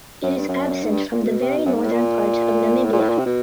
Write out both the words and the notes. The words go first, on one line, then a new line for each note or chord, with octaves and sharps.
It is absent from the very northern part of Namibia.
F#2
G2
F#2
G#2
G2
A#2
B2
C3
B2
F#2
G#2
A2
A#2
A2
A#2
A2
A#2
C3
B2